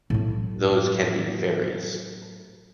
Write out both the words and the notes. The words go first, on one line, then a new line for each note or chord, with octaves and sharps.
Those can be various.
A2 F#3